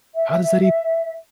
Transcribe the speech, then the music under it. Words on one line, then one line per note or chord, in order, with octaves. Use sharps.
How does that
E5